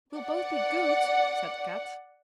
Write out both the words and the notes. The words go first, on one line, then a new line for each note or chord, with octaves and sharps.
"We'll both be good," said Kat.
D5 F#5